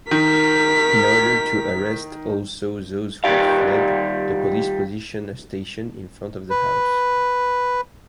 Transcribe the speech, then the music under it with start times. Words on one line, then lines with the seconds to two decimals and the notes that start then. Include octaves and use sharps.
In order to arrest also those who had fled,the police positioned a station in front of the house.
0.11 D#3 A#4 B6
3.24 D#3 G3 G4 F5
6.50 B4